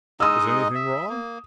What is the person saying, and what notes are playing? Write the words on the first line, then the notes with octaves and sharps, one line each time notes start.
"Is anything wrong?"
G#3 D#4 D#5 D#6 E6
E5
A#3